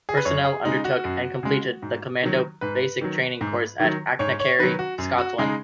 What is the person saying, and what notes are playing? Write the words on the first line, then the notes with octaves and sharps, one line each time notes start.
Personnel undertook, and completed, the Commando Basic Training Course at Achnacarry, Scotland.
G#4
B4
F#2 C#5
G#4
C#3 G#3 D#4
F#4
F#2
C#3 G#3
G#2
D#3 F#3
G#2 B4
D#3 F#3
G#2
D#3 F#3
G#2 C#5
C#5
D#3 F#3 B4
F#4
F#2
F#4
C#3 G#3 D#4